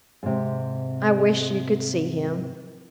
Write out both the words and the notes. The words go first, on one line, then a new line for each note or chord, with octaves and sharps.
I wish you could see him!
G#2 C3